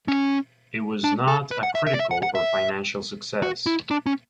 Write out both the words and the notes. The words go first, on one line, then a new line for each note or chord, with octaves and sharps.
It was not a critical or financial success.
C#4
D4
A4
B4
F#5
E5
E5
D5
E5
F#5
F#5
E5
F#4
E4
D4
C#4